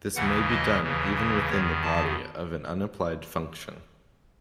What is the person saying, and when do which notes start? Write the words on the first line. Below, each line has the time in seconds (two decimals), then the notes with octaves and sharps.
This may be done even within the body of an unapplied function.
0.15 D#2 C#3 E3 F#5
0.48 D#5
0.83 D#2 C#3 E3
1.49 E2 D#3 C#5
1.83 A5